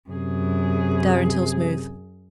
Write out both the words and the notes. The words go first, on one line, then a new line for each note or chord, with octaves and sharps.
Stir until smooth.
F#2 C3 G#4